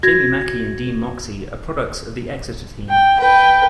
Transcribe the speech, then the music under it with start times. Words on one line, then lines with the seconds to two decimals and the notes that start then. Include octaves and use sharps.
Jamie Mackie and Dean Moxey are products of the Exeter team.
0.03 F#4 G#6 A#6
2.90 G5
3.19 B4 G5